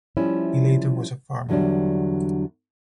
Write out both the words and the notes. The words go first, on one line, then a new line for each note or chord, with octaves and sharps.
He later was a farmer.
F3 G3 C#4 E4
E2 D3 F#3 G3 D4